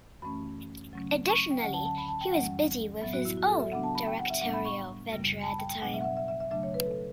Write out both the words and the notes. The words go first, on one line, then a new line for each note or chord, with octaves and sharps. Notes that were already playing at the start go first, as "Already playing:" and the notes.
Adittionally, he was busy with his own directorial venture at the time.
F#2 E3 A3 C#4 B5
C#3 F#3 A3 C#4
C#6
G5
D2 D3 F#3 C#4 F#5
A5
A5
B5
A5
G5
F#2 E3 G3 C#4 F#5
A2 F#3 B3 E5
F#4
E4
F#4
A4
E5
C#3 F#3 B3 D4 F#5
A5
B5
G5
F#5
E5
A2 G3 B3 D4 F#5
B5
C#6
F#2 C#3 G3
A5
B5
G5
G5
B2 F#3 B3 D4 F#5
E5
F#5
E5
E5
E5
E5
C#3 F#3 A3 D4 E5
C#5
B4
A4